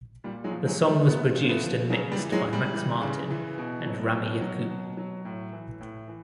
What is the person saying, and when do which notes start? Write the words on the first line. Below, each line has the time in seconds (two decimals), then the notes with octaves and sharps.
The song was produced and mixed by Max Martin and Rami Yacoub.
0.24 A#2 G3
0.44 F#3 G#3
0.51 F3
0.65 F#3 G#3
0.79 A#2
0.87 G3 A3
1.07 F3 A3 B3
1.35 A#2
1.49 A3 B3
1.63 F3
1.90 C#3 F#3
2.12 G3
2.18 E3
2.32 F#3 G#3
2.46 C#3
2.53 G3
2.74 E3
3.01 C#3
3.30 E3
3.58 B2
3.86 F#3
4.14 B2
4.41 F#3
4.69 B2
4.97 F#3
5.25 A2
5.52 E3
5.81 A2
6.08 E3